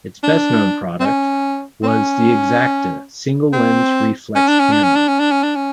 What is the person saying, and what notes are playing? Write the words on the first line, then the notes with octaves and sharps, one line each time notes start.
Its best-known product was the Exakta single-lens reflex camera.
D4
C4
C#4
C4
C#4
C4
C#4
D4
C#4
D4
C#4
D4
C#4
D4
C#4
D4
C#4